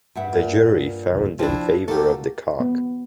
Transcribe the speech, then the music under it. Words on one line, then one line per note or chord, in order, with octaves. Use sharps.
The jury found in favor of the cock.
G2 E5 F#5
A#2
F3 C4 D4 E4
A3 A#3 F#4 G4 A4
B3